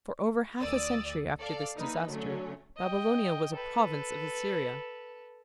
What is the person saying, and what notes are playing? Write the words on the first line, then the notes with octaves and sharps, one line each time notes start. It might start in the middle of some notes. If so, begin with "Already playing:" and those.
For over half a century after this disaster Babylonia was a province of Assyria.
D2 D5 D#6 E6 A6
A4 D5 F5
E3 A#3 D#4 B4
D3 F#3 A3 C#4
D#5 G5
A4 B4